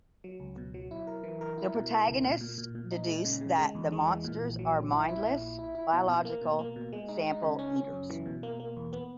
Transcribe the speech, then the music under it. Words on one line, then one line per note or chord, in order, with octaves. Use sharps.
The protagonists deduce that the monsters are mindless biological-sample eaters.
F#3
C#2
B2
F#3
E4
A#4
E3
A#4
E4
B2
B2
C#2
A#2
A#2
A#2
A#2
D#4
G#3
C#3
C#3
G#3
E2
G#3
E3
A#2
A#1
F#3
A#1
E4
E4
A#2
E4
E4
E4
B2
B2
A#3
B2
A#3
B2
G#3
D#4
D#4
C#3
C#4
C#4
F#2
E3
B2
A#3
A#3
E2
B3